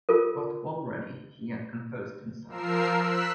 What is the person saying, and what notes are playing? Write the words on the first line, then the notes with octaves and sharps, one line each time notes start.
But already he had composed himself.
F4 A4 A#4
F3 A#4 E6 C7
E6 F#6 B6